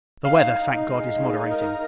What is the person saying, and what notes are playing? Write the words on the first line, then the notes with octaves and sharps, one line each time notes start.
The weather, thank God, is moderating.
D#4 F5
D#4
G#3
D#4
A#4